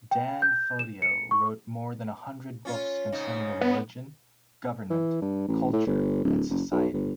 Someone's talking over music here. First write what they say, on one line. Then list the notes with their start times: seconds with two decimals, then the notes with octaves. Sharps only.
Dan Fodio wrote more than a hundred books concerning religion, government, culture, and society.
0.11 G5
0.42 G6
0.79 E7
1.02 C#7
1.31 C#6
2.65 C#4 F4
3.12 G#2 C#3 D#4
3.61 B3
4.90 E3
5.22 G2
5.48 A1
5.73 A2
5.87 G1
6.24 D1
6.50 F#1
6.72 B1
6.94 G1